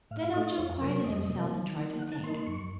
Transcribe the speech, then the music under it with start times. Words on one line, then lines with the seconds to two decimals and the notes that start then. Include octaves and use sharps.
Then Ojo quieted himself and tried to think.
0.11 A2 F5
0.22 F5
0.34 A3 D#4 D#5
0.46 D#5
0.57 F2 C#5
0.81 C3 F#3 A#3 A#4
1.04 F2 D#5
1.29 C3 F#3 A#3
1.52 D#3
1.76 A#3 D#4
1.99 D#3 F#5
2.12 A5
2.23 A#3 C6
2.27 D#4
2.34 C6
2.47 F#2 C#6